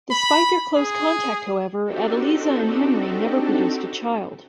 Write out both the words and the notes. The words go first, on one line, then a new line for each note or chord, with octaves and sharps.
Despite their close contact, however, Adeliza and Henry never produced a child.
B5
G#4
C4 D4 D#4 F#4 G4 A4